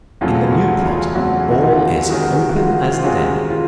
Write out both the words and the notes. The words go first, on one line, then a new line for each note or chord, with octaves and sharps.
In the new plot all is open as the day.
E2 C#3 F#3 A3 C4 F4
F#4
F4
E2 C#3 F#3 A3 C4 F#4
F#4
F4
C3 D#3 G#3 C#4 F#4
F#4
F4
F4
C3 D#3 G#3 C#4 F#4
F4